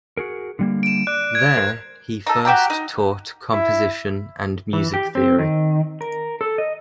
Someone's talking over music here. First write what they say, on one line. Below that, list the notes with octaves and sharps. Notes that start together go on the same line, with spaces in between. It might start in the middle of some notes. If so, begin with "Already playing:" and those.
There, he first taught composition and music theory.
F#4 G#4 A#4
D3 G3 A#3
D7 E7
D5 F#6
G#6 D7
A#4 C5
D#4 A4
F#4 G4 G5 A#5
D#4
E4
E3
G4
C4
D#3
A#4
A4
D#5